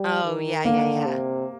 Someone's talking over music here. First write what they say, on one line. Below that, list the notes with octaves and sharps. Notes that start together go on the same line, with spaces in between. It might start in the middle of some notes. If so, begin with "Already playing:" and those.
Oh yeah, yeah, yeah.
Already playing: G3
D#3
D3 A#3
C3